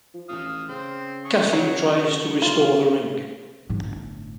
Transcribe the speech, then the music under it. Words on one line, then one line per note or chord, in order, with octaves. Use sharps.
Caffey tries to restore the ring.
F3
A1 F5 D#6
C#3 C4 C5
G#4 C#6
F#3
B1 F4
G1 A2